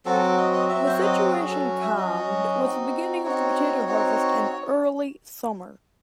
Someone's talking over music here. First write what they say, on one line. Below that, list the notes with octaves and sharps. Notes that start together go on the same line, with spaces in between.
The situation calmed with the beginning of the potato harvest in early summer.
F#3 C4 F#4 A4
D#5
D#5
F#3 C4 F#4 E5
C5
C#5
D#5
F#3 C#4 F#4 G#4
A4
E5
F#3 C#4 F#4 D#5
C4 D#4 F#4
C4 D#4 F#4 C#5
C4 D#4 F#4